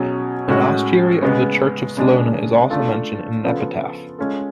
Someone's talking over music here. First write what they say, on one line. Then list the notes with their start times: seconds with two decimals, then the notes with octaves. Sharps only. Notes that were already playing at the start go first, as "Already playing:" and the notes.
An ostiary of the church of Salona is also mentioned in an epitaph.
Already playing: B2 F#3 C#4 G#4
0.48 A2 G#3 C#4 F#4
1.22 C#3 G#3 B3
1.97 C#3 G#3 D4
2.70 A3 D4 F4 A4
3.44 C#3 F3 B3 F4 A4
4.18 G#3 C#4 F4 A4